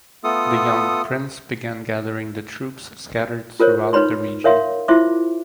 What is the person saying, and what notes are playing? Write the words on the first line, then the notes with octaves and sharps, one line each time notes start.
The young prince began gathering the troops scattered throughout the region.
A3 B3 F4 A4 D#6
F4 A#4 C5 C#5
D#4 B4 C#5 B5 C6
A#4 C#5 E5 F5 C6
E4 F4 C5 E5 C6 D6